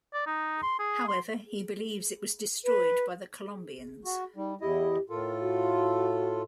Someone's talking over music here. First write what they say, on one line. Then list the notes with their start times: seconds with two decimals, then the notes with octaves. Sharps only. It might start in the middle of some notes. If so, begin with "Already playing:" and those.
However, he believes it was destroyed by the Colombians.
0.14 D5
0.26 D#4
0.63 C6
0.79 G#4
1.08 C6
2.65 B4
4.05 F#4
4.36 G3 D#4
4.61 E2 E4 G4 D#5
5.10 A2 F4 A4 A#4
5.40 F#4